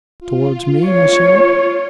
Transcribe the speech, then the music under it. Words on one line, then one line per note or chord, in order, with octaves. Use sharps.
"Towards me, monsieur?"
F4
C#5